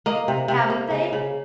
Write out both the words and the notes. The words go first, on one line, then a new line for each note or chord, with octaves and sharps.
Haven't they!
A#3 D#5
C3
C3
A#3
C#3
C#3